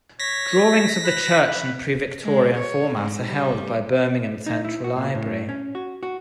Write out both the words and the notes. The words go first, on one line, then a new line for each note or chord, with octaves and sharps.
Drawings of the church in the pre-Victorian format are held by Birmingham Central Library.
C#5 A#6 B6
B4
G#3
C#5
G#2
G3
D#4
E4
F#4
A#2
A2
C#4
F#4
F#4